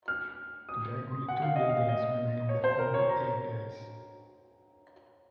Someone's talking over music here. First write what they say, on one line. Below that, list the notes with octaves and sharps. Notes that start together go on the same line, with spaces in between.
Today only two buildings remain of the former Air Base.
F6
D#6
F#5
F5
D#5
F5
D#5
C#5
C5
A#4
C#5
A#5